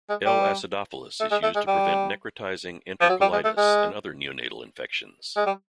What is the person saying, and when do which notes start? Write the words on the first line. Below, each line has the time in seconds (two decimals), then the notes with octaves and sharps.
"L. acidophilus" is used to prevent necrotizing entercolitis and other neonatal infections.
0.09 G#3
0.26 G3
1.21 A3
1.31 G#3
1.43 A3
1.55 G#3
1.67 G3
3.01 F3
3.09 F#3
3.21 G3
3.33 G#3
3.44 A3
3.57 G#3
5.37 G#3
5.46 G3